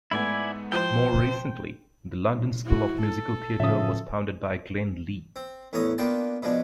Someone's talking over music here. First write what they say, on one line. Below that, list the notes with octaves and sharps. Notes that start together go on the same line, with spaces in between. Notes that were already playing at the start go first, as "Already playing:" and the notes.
More recently, the London School of Musical Theatre was founded by Glenn Lee.
G#2 A3 B3 E4 D5 G#5
F3 E4 C5 G5
E4 F#4
A4
A2 C#3 F3 C#4 E5 D#6
C4
E2 A2 C#4 A#5 D#6
A#3 B3 D4 F4 G5 A5
B2 F3 G#3 D4